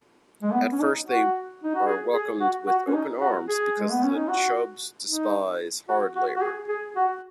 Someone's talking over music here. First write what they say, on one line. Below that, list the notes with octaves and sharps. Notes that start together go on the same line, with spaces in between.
At first they are welcomed with open arms because the Chubs despise hard labor.
G#3
B3
C#4
D#4
F#4
D#4
F#4
G#4
G#4
F#4
F#4
C#4
D#4
F#4
G#4
G#3
B3
C#4
D#4
F#4
D#4
F#4
F#4
F#4
G#4
G#4
F#4